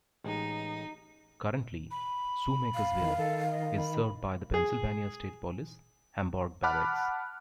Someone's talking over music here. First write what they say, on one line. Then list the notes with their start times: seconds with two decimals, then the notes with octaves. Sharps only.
Currently, Shoemakersville is served by the Pennsylvania State Police - Hamburg Barracks.
0.24 A1 G#3 D#4
1.91 B5
2.75 F5
3.01 D#3
3.18 D#3 A4
3.51 D#5
3.77 B5
4.54 G#4
6.63 F#5 A5 B5 D6 F6 F#6